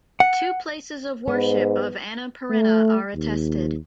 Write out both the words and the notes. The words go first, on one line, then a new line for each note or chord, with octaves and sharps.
Two places of worship of Anna Perenna are attested.
F#5
G#2 B3
A3
D#2